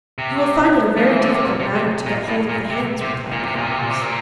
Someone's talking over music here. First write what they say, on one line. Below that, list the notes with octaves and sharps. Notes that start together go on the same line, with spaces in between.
'You will find it a very difficult matter to get hold of the hens,' replied the fox.
C3
F3
E3
D3
C3
A#2
C3
C3
A#2
A2
A#2
C3
C3
A#2
C3
A#2
C3
A#2
C3
A#2